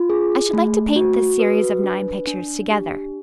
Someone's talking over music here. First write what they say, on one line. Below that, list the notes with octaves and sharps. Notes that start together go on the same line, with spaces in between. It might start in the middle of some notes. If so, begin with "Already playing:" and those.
I should like to paint this series of nine pictures together.
Already playing: F4
G#4
A3
F#4
B4
D4
D4
G4